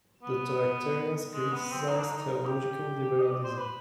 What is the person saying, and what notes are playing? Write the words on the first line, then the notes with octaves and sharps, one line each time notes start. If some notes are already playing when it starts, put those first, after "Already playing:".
The Tractarians criticised theological liberalism.
B3
G#3
B3
C4
D#4
D4
D#4
D#4
G4
D#5
D5
C5
B4